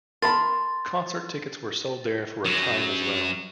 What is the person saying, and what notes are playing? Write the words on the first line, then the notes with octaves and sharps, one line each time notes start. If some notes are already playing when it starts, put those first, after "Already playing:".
Concert tickets were sold there for a time as well.
A#4 A5 B5 C6 A6
F#2 F#3